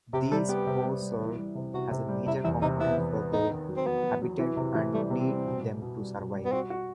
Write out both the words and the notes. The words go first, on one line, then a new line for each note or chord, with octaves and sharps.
These hosts serve as major components for their habitat and need them to survive.
C3 G4
G3 A4
B3 G4
C3
G3
G3
E3
G3
C3
C3 F#4
C3
G3
C3 E4
E2 E4
C3 D#4
B3 E4
E2
B3
B3 D#4
D#3
F#3
C4
F#3 B3
F#3
F#3
E3
C3
E3
G3 A3
C3
C4
G3
B2
B2
B2
G3
B2
G3
B3
C4 F#4
F#4